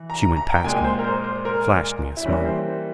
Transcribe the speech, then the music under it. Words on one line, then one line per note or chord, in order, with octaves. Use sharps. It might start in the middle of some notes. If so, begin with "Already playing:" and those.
She went past me, flashed me a smile.
Already playing: E3
A#5
A#5
G5
A#2 G#3 G#5
C5
A#4
C5
C5
A#4
E4
E3 G3 A#3 C#4
C5